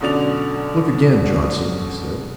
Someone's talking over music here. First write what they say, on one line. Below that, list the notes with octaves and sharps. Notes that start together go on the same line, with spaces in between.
"Look again, Johnson," he said.
F#2 B2 D3 D5 F7